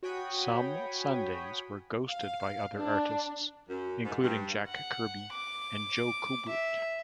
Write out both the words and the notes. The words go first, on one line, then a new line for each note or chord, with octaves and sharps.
Some Sundays were ghosted by other artists, including Jack Kirby and Joe Kubert.
F#4 C#5 G5 G#5 B5 D#6
F5
D4
F#2
G#2
G2
F#5
D6
E5